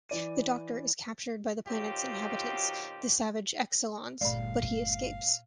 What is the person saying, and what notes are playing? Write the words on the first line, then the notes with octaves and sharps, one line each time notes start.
The Doctor is captured by the planet's inhabitants, the savage Exxilons, but he escapes.
E3 D5 D#7
B2 D#3 F#3 C4 F4 G4
G1 A#2 A3 D5 F5